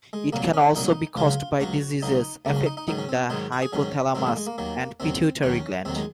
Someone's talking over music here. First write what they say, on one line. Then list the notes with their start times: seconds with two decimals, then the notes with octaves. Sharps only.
It can also be caused by diseases affecting the hypothalamus and pituitary gland.
0.13 G#3
0.33 C2 A#2 F#3 A#3
0.54 C#4
0.76 C2 A#2 F#3 D#4
1.17 C#2 C#3 F#3 F4
1.60 C#2 C#3 F#3 F#4
2.02 C#2 C#3 F#3 D#4
2.45 C#2 C#3 F#3 A#3
2.56 C#4
2.66 D#4
2.77 D#4
2.88 G#2 D#3 F#3 D#4
2.98 C#4
3.09 C4
3.30 G#2 D#3 F#3 D#4
3.52 F#4
3.62 G#4
3.72 G#2 D#3 F#3 C#4
4.15 G#2 D#3 F#3 C4
4.26 A#3
4.37 G#3
4.47 A#3
4.58 D#2 D#3 F#3 A#3
5.00 D#2 D#3 F#3 C4
5.43 D#2 D#3 F#3 C#4
5.85 D#2 D#3 F#3 C4
5.96 G#3